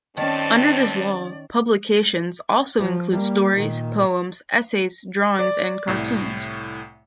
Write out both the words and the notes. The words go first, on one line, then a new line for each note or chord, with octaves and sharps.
Under this law, 'publications' also include stories, poems, essays, drawings and cartoons.
G2 D#3 C4 C#4 D5 A5
F3
G3 A#3
A#2 D#3
D5
C2 A2